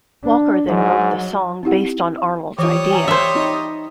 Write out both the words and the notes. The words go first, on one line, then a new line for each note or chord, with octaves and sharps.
Walker then wrote the song based on Arnold's idea.
D4
G#2 F#3
C4 D#4 E4 G4 F#5
E3 G3 F4 C#5 D#6
G5 G#5 A#5
C5 E5
D#4